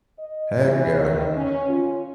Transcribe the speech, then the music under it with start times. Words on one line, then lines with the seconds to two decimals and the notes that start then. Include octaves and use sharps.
Heck yeah.
0.18 D#5
0.60 E3
0.97 D#3
1.36 C#4
1.69 F4